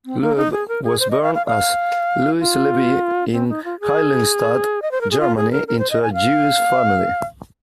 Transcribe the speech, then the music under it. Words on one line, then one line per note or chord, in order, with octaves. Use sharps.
Loewe was born as Louis Levy in Heiligenstadt, Germany into a Jewish family.
C4
A#3
D#4
G#4
A#4
G#4
C5
D#5
F5
F5
F5
F4
C4
D#4
F4
G#4
D#5
C5
A#4
G#4
F4
G#4
A#4
A#4
C5
D#5
G#5
F5